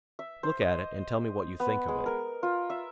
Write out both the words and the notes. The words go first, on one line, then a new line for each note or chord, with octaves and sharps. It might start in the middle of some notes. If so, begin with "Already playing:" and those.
"Look at it, and tell me what you think of it."
E5
C5
D#5
B3
G#3
A#4
F4
E5